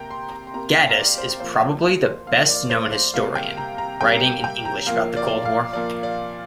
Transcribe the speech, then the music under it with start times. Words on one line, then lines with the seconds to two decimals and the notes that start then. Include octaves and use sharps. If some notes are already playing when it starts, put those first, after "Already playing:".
Gaddis is probably the best known historian writing in English about the Cold War.
Already playing: C3 A#3 G5 A#5
0.11 C6
0.32 A#5
0.47 C6
0.54 C3 A#3 A#5
0.75 F5
0.82 G5
0.89 F5
0.97 D5
1.18 C5
1.40 A#2 F3 A#3 C5
2.27 A#2 F3 A#3 F5
2.49 D5
2.70 C5
2.92 C5
3.13 C3 G3 A#3 F5
3.35 G5
3.57 A#5
3.78 A#5
4.01 C3 G3 A#3 G5
4.44 G5
4.65 A#5
4.87 A#2 F3 A#3 F5
5.17 D5
5.45 F5
5.73 A#2 F3 A#3 D5
6.03 D5